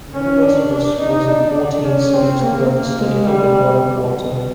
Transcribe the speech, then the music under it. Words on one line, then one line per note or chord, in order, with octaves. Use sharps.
The university has schools in fourteen cities throughout the state of Guanajuato.
C#4
D4
D4
D#4
D4
D4
C#4
C4
A#3
G#3
G3